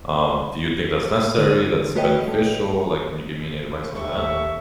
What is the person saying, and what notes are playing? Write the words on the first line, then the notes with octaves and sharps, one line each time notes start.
Um, do you think that's necessary? That's beneficial? Like, can you give me any advice on that?
D3 D#7
A3 F#4 B4 C#5 D#5 G5
A3
D#2 G4 A4 E5 C#6